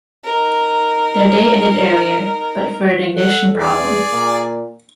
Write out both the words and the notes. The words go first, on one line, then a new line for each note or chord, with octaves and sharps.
Their day ended earlier, but for an ignition problem.
D#4 A#4
A4 F#5
E2 G#4 D5
A#2 A#3